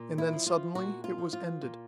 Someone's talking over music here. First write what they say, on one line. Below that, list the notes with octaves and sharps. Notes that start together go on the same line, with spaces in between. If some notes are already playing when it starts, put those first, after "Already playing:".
And then suddenly it was ended.
Already playing: A#2
E4
F3
F4
A#2 F#4
F4
F3
F4
A#2